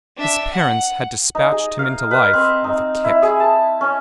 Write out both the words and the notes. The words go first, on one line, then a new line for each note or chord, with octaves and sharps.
His parents had despatched him into life with a kick.
D4 E5
F#5
D#4
G#4
F5
B4
C4
D#4
E4
G#4
A5
C#4